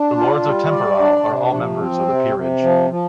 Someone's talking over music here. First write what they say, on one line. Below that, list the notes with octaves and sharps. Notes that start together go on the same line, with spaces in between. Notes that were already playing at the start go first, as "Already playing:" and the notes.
The Lords Temporal are all members of the Peerage.
Already playing: D4
F4
G3
D5
D4
C3
F3
C4
C3
C3
F3
F3